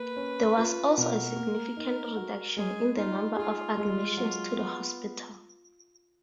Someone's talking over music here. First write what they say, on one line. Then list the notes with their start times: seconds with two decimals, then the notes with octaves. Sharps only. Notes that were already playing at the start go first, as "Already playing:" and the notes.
There was also a significant reduction in the number of admissions to the hospital.
Already playing: A#3 B4
0.16 C#4
0.58 F4
0.97 B2 A#4
1.36 A#3
1.77 D#4
2.16 F#4
2.57 G#3 G#4
2.96 D#4 F4
3.37 F4 G#4
3.77 G#3
4.17 F#3
4.57 B3